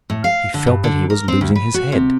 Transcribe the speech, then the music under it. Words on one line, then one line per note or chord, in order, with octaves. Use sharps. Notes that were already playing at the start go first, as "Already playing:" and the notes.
He felt that he was losing his head.
A2
F5
D3
G2
D3
A#4
C4
D2
B4
F#4
C3